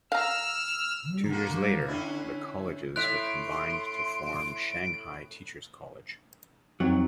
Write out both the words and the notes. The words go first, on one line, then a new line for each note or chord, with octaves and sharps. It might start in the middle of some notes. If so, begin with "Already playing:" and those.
Two years later, the colleges were combined to form Shanghai Teachers College.
F5 A#5 E6 F6
D3 A#3 F#4
D3 C#4 E4
A2 E5 C6 F#6 D7 F7
F2 F#3 C4 D#4